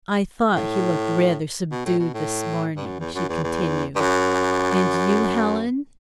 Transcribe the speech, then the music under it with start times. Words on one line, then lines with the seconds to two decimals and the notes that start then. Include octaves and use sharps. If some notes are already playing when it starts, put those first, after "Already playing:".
'I thought he looked rather subdued this morning,' she continued; 'and you, Helen?
0.55 A2
1.71 B2
1.85 A2
1.99 B2
2.14 A2
2.76 G2
2.86 F#2
3.00 E2
3.15 F#2
3.29 E2
3.44 E2
3.96 G2
4.01 F#2